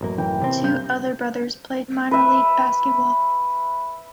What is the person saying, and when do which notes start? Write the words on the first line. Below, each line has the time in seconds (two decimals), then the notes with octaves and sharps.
Two other brothers played minor league basketball.
0.01 A1 F#2 A#3
0.18 E3 G5
0.42 C3 C4
0.62 G2 C#4 G6
2.11 B4 E5